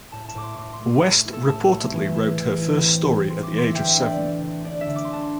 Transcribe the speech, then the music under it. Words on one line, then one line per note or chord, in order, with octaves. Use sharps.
West reportedly wrote her first story at the age of seven.
A2 A5
A5
A2 D6
C6
A2 D6
C6
A3
A3
E4
A4
A2 A5
A3
E3
E4
E3
E4
C4
C4
E3 C6
D6
E3
C6
E5
D3 G5
E5
D4
D5
A3
D3
D4 D5
E5
D3
D6
C6
D4 A5
C6